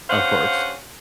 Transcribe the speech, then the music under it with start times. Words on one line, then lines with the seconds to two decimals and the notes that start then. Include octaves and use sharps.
Of course.
0.09 G2 C#4 C5 F5 F#5